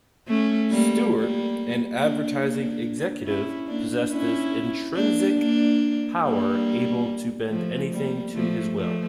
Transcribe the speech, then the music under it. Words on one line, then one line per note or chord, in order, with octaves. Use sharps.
Stuart, an advertising executive, possesses intrinsic power, able to bend anything to his will.
A3 C#4
G3 A#3
G3 A#3
A#3 D4
A#3 D4
C#4 E4
A#3 D4
C#4 E4
A#3 D4
A#3 D4
G3 A#3
F3 A3
G3 A#3
F3 A3
F3 A3